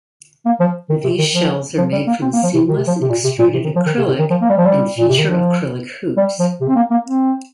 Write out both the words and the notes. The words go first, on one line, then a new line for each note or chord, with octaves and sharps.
These shells are made from seamless, extruded acrylic and feature acrylic hoops.
A#3
F3
D#3
C3
D#3
F3
F3
G3
A#3
C4
A#3
F3
C3
D#3
C3
F3
C3
A#2
C3
A#2
C3
D#3
F3
D#3
C3
C3
D#3
F3
A#3
G3
F3
G3
A#2
C3
D#3
F3
G3
F3
C3
C4
A#3
A#3
C4